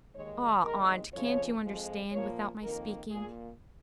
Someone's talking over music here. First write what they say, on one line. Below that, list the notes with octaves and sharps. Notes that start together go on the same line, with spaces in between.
"Ah, aunt; can't you understand, without my speaking?"
D#2 D#3 G#3 C#5
D#2 D#3 G#3 A#4
F2 C#3 F3 C#5
F2 F3 G#3
A#2 F3 A#3 C#5
F2 D#3 A#3 A#4
A#2 A#3 G#4